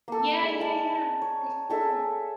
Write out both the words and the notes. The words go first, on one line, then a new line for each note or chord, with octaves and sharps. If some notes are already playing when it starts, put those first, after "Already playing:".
Yeah, yeah, yeah. For sure.
A#3 A4
G#3 D5
A#4 A5 D#6
C#5
G#4 A4 E5